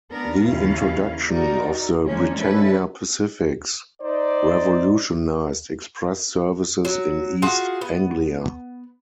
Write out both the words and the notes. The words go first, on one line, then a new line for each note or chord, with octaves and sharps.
The introduction of the Britannia Pacifics revolutionised express services in East Anglia.
B3 D4 A#4
D#2 C#3 C#4 E4 F5
D#4 F#4 A#4 D5
D3 E3 F3 G#3 A#3 C#4
C#4 D4 E4 A4 B4
D#4 C5 D5
F#3
F4 F#4 G#4 F5
B3